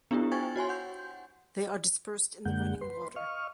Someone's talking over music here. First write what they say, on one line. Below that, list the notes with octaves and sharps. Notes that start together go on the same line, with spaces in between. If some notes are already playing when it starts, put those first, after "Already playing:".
They are dispersed in the running water.
B3 D4 E4 F4 G4
C5 G5 G#5 C#6 G#6 A6
F#4 C#5 G#5 C6
F#5 G6
F#2 D3 G#3 A#3 F#5 G6
B4 C6
D#5 F5 C#6 F6